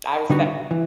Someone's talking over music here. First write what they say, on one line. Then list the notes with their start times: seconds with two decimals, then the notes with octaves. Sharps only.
I was set f
0.30 D3 G3 B3 D#4 F#4
0.71 E3